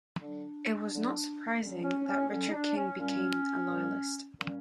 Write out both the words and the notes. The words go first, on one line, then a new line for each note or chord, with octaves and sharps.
It was not surprising that Richard King became a loyalist.
D3 F#3 D4
D3 F#3
D3 F#3 C#4
C#4
C#4
D3 F#3 C#4
D#4
D4
C#4
A#2 G3 C#4
A#2 G3
A#2 G3 C#4